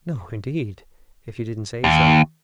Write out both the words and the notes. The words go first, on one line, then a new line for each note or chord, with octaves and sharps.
"No, indeed, if you didn't say so."
D#2